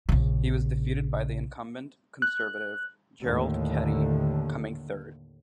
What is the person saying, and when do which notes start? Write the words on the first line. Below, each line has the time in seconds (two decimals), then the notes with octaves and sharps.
He was defeated by the incumbent, Conservative Gerald Keddy, coming third.
0.09 A#1 C#3
2.22 F#6
3.22 D#2 A2 D3